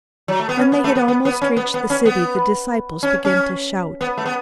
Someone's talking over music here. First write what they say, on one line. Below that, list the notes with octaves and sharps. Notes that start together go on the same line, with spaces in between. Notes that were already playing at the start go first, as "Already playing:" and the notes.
When they had almost reached the city, the disciples began to shout.
F#3
A3
B3
C#4
B3
A3
B3
B3
B3
C#4
B3
B3
C#4
B3
C#4
C#4
B3
A3
B3